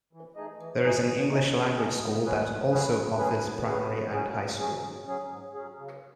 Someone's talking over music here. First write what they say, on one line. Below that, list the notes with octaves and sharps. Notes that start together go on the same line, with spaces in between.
There is an English language school that also offers primary and high school.
E3
A3 D#4 G#4 D#5
E3
A3 D#4 G#4 D#5
E3
A3 D#4 G#4 D#5
E3
A3 D#4 G#4 D#5
G#2
F#3 C#4 G#4 B4
G#2
F#3 C#4 G#4 B4
G#2
F#3 C#4 G#4 B4
G#2
F#3 C#4 G#4 B4
G#2
F#3 C#4 G#4
G#2
F#3 C#4 G#4
G#2
F#3 C#4 G#4
G#2
F#3 C#4 G#4
C#3